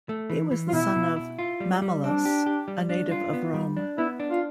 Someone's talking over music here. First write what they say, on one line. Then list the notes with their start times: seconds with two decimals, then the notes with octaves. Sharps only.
He was the son of Mammalus, a native of Rome.
0.09 A3
0.30 E3
0.51 E3
0.68 F4
0.73 B2 E4
0.96 B2
1.16 E4
1.39 F4
1.60 G3
1.82 G3
2.03 C4 D4
2.25 G4
2.46 G4
2.68 G3
2.89 D4
3.11 F4
3.33 B3
3.54 G3
3.77 D4
3.98 B3 E4
4.20 D4
4.30 F4